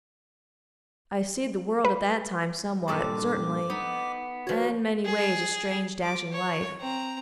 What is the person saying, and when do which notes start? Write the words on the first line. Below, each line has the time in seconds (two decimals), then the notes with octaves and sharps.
I seed the world at that time somewhat, certainly, and many ways of strange dashing life.
1.85 B4
2.88 G2 A#2 D4 A4 B4 D6
3.70 B3 D#4
4.47 F3 F#4 B4 C#5
5.05 G#4
6.02 D6
6.32 C#5
6.80 C4 A#5